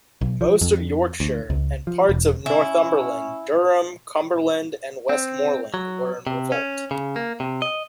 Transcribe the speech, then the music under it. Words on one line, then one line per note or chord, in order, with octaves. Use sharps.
Most of Yorkshire, and parts of Northumberland, Durham, Cumberland and Westmorland were in revolt.
B1
F3
F2
D2
C#2
F3
E1
C#4 E4
C4
F#3
C3
C#4
C#3
A#3
C3
D#5